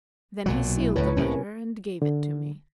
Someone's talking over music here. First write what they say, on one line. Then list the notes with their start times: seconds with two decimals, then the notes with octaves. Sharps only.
Then he sealed the letter and gave it to me.
0.46 B1 A#2 F#3
0.80 E4
0.96 C#2 A2 B4 C#5
1.16 C2 A2 C3 A#3 C#4
2.02 D3